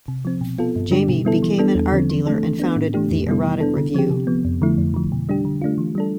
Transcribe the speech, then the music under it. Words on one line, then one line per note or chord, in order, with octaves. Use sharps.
Jamie became an art dealer and founded the "Erotic Review".
C3
F3 C4
B2
B3 F4 A4
G2
D3 G3 D4 G4
B2
G3 B3 E4 A4
E3
G3 B3 D4 A4
E2
D3 F3 C4
E3
A3 D4 A4
E3
B3 D4
A2
E3 A3 D4 G4
F2
C3 G3 B3 E4
E3
B3 D4 A4
D3
F3 C4 G4
C3
F3 B3
F2
D3 F3 A3 E4
F2
D3 F3
B2
G3 D4 G4
D3
A3 D4 F4
E3
G3 D4 A4